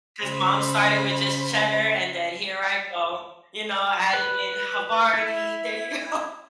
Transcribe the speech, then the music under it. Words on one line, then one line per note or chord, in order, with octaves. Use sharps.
'Cause mom started with just cheddar, and then here I go, you know, adding in Havarti there you go.
C#3 C5 B5
B4
E4